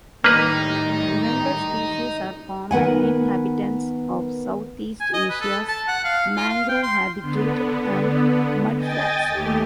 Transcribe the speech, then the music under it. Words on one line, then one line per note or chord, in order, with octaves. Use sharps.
Member species are common inhabitants of Southeast Asia's mangrove habitat and mudflats.
A2 D#3 G3 A#3 D#4 B4
D#3 B3 F#5 G#5
G#5
D#5
B4
A4
A5
F#5
F5
F4
F5
G5
C6
D3 B3
D#5 G5 G#5 A6
D#2 A3 G4